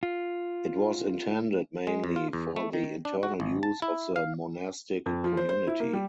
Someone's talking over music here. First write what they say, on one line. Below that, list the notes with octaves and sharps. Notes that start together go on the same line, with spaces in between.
It was intended mainly for the internal use of the monastic community.
F4
G#3
F2
F4
E2
A3
D#3
D4
F#4
G#1
A5
E4
F5
F2
F3
C5
C5
E4
A#3
G3